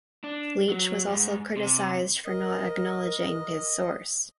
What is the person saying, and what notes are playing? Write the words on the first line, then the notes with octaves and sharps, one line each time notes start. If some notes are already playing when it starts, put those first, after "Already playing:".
Leach was also criticised for not acknowledging his source.
D4
F#3
G#2
C3
A#4 D#5